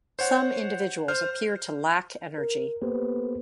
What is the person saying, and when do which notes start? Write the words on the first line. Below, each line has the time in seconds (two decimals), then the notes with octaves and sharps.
Some individuals appear to lack energy.
0.19 C5 C#5 F#5
1.08 C5 F6 G6
2.38 A#4
2.82 A#3 B3 G4 A4 B4 C5